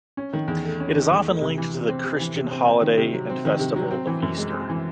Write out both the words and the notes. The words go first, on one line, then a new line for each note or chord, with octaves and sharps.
It is often linked to the Christian holiday and festival of Easter.
C#4
D#3
E2
A3
C#4
D#3
E2
A3
C3
E3
C3
C4
C3
E3
C3
C4
C4
D#3
C3
F#3
C4
D#3
C3
F#3
C4
E3
F#2
G#3
C4
E3